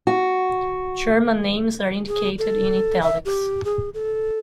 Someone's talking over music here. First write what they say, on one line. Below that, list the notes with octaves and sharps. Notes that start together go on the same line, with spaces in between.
German names are indicated in "italics".
F#4
G#4
A4
E5
G4
G#4
A4